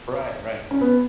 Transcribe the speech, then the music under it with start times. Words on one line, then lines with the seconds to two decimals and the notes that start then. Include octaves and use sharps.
Right, right.
0.71 C#4
0.81 B3